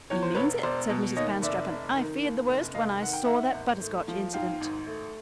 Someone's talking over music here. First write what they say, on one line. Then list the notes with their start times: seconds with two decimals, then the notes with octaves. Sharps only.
"He means it," said Mrs. Panstreppon; "I feared the worst when I saw that butterscotch incident."
0.10 E2 C#5
0.23 C5
0.35 E1 B4 C#5
0.63 E1 C5 D5
0.90 B2
1.16 D#2 C#5 D#5
1.42 F1 D5 E5
1.69 F1
1.95 D#3
2.23 D#2
2.49 F1
2.75 F1 D#5 F5
3.02 D#3 F#5
3.13 G5
3.25 G#2 E5 F#5
3.54 G#1
3.81 A3
4.08 F3
4.33 G#2 F5 G5
4.61 G#1
4.87 A3